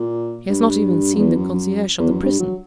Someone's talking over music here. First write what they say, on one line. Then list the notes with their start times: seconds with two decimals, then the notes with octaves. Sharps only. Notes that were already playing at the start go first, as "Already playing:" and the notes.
"He has not even seen the concierge of the prison."
Already playing: A#2
0.49 G2
1.14 F#2
1.19 E2
1.36 F#2
1.53 F#2
1.99 E2
2.11 F#2
2.22 G2
2.40 F#3